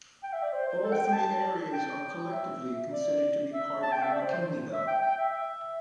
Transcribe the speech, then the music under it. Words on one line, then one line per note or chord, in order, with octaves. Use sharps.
All three areas are collectively considered to be part of McKinleyville.
G5
E5
D5
C5
C5
A4
G5
G5
A5
G5
E5
D5
E5
A5
G5
E5
D5
C5
C5
E5
G5
G5
E5
E5